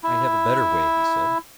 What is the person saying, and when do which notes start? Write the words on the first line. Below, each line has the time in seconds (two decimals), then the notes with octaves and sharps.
"I have a better way," he said.
0.03 E4